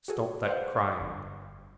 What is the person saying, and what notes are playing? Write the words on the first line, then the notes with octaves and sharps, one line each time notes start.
'Stop that crying.
F#4 G#4 A4
B4 C5 D5 F5 F#5
G1